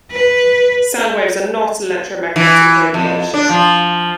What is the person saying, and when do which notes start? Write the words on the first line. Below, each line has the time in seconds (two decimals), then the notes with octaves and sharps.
Soundwaves are not electromagnetic radiation.
0.11 B4
2.36 E3
2.94 F2
3.34 D4
3.49 F3